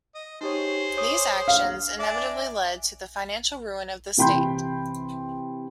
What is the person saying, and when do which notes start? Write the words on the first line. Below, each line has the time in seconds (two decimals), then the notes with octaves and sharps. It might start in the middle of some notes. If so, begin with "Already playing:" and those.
These actions inevitably led to the financial ruin of the state.
0.15 D#5
0.41 D#4 G4 G#4 C5 C#5
0.97 C#5 D6 D#6
1.48 F5 F6
1.99 D4 D5 E5 G#5
4.17 C3 E3 G5 B5 C6 G6